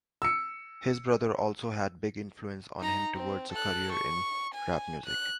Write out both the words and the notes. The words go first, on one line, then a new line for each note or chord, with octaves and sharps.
His brother also had big influence on him towards a career in rap music.
E6 C#7
D#4 A#5
C4
A4 F#6
C#6
G#5
F#6